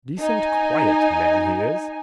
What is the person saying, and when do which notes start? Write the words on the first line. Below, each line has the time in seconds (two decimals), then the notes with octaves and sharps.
Decent quiet man he is.
0.19 D#4 G#5